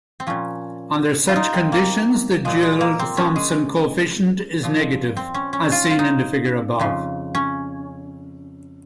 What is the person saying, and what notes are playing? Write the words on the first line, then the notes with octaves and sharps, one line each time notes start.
Under such conditions, the Joule-Thomson coefficient is negative, as seen in the figure above.
C4
A#2 F3 C#4
F4
D#4
C4
A#3
A#2 F3 G#3
G#3
A#3
C4
C#4
G#3
A#2 F3
C4
C#4
C#4
F4
F4
D#4
F2 C#3 F3
C#4